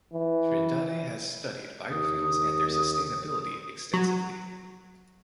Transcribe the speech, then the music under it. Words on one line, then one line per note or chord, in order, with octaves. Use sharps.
Trindade has studied biofuels and their sustainability extensively.
E3
D#2 D#6
F#3